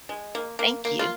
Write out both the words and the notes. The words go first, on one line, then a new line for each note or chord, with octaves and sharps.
thank you.
G#3
A#3
A#3
A#3
F4